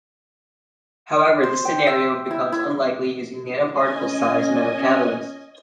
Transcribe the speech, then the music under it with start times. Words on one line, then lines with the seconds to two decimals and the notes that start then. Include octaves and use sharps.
However, this scenario becomes unlikely using nanoparticle-sized metal catalysts.
1.43 C5
1.65 G5
1.87 E5
2.31 E4
2.52 E4
3.70 C#4 D#5 G#5